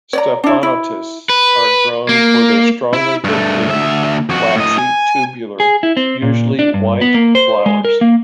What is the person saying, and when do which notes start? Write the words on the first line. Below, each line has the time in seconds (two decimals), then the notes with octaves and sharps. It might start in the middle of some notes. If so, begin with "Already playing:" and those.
"Stephanotis" are grown for their strongly perfumed, waxy, tubular, usually white flowers.
0.13 C#5 D5 A#5
0.44 D4 E4
0.63 E4
1.29 B4
2.09 A#3
2.93 E4
3.24 G2 A3
3.69 D2 E5
4.29 F2 F#4
4.56 A2 D#5
4.79 G#5
5.60 G#4
5.83 E4
5.97 C4
6.22 A#2
6.59 D4
6.74 G2
7.01 B3
7.14 A#3
7.35 C5
7.66 G#3
7.85 A#4
8.01 A#3